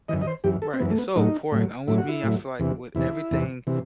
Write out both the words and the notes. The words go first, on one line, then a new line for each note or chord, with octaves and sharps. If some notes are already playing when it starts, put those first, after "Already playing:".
Mhm. Right, it's so important, and with me, I feel like with everything
F#2 E3 D#5
D#5
C5
F#2 E3 G4
A4
C4
F#2 E3 B3
A3
B3
A2 F#3 D#4
A2 F#3
A2 F#3 E4
F#4
E4
A2 F#3
E2 C3 E3
E2 C3 E3 E4
E2 C3 E3
C3 E3